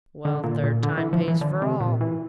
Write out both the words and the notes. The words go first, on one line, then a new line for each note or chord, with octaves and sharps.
'Well, third time pays for all.
D3
A#2
A#2
D3
E3
F3
E3
D3
C3
A#2
E3